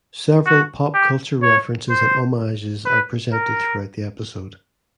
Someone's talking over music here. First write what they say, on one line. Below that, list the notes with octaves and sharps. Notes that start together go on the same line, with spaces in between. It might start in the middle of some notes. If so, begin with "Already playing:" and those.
Several pop culture references and homages are presented throughout the episode.
F#4
G4
C#5
C5
B4
A#4